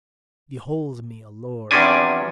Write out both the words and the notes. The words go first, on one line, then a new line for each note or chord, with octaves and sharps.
Behold me a lord!
E2 C3 F3 C#4 D4 G#5